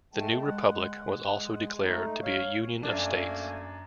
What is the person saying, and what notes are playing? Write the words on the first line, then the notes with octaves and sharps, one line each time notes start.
The new republic was also declared to be a "Union of States".
G#3 A3 G5 A5
G#3 F#5
A3 D#4
C#5 F5
F#2 A3 A#3 D4 G#5